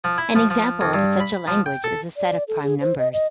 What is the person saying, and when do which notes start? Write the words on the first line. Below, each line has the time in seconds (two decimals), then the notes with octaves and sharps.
An example of such a language is the set of prime numbers.
0.04 F3
0.18 E4
0.35 F3
0.50 F3
0.81 F2
0.93 G2
1.20 B5
1.47 F3
1.66 G5
1.84 A4
2.16 D5
2.48 A4
2.64 G#4
2.81 C5
2.98 D#5
3.13 D#5